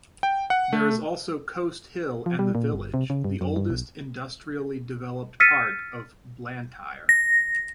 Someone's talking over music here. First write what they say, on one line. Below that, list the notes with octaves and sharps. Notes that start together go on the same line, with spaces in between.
There is also Coatshill and the village, the oldest industrially developed part of Blantyre.
G5
F#5
A3
F3
G3
A#2
G1
C3
C#3
G2
F#2
G2
B1
E6 F6 A6 B6 C#7 D#7
A#6